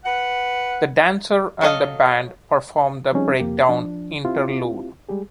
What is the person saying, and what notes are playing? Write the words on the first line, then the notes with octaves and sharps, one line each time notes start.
The dancers and the band performed the "Breakdown" interlude.
B4 F#5
F#3 F#4 A4 D#5 F5
F3 G3 C4 C#4 D#4 G#4
F2 A#3 G4
F3 D4
C4 E4 F4 G4
G3 G#3 G4 G#4